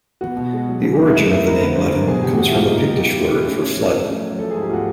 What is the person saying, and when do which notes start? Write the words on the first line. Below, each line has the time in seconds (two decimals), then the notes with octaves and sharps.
The origin of the name "Leven" comes from the Pictish word for "flood".
0.21 B3 F#4
0.36 B2
0.53 G#3
0.68 F#3
0.83 D3
0.98 A#3
1.07 E4
1.14 A2 D#4
1.30 A2 E4
1.45 A2 A#4
1.60 D3 B4
1.76 G2 C5
1.91 D3 A#4
2.07 B2 G#4
2.22 E2 G4
2.37 B2 F#4
2.48 E4
2.53 A#3 F4
2.65 D#4
2.68 A#3
2.76 D#4
2.84 G3 G4
2.99 B3
3.16 A2
3.30 A2
3.46 C#4
3.62 C#4
3.77 F3
3.92 A3
4.08 C#4
4.24 F#3
4.38 F3 A4
4.51 G#2 G#4
4.61 G4
4.69 A3 F4
4.73 F#4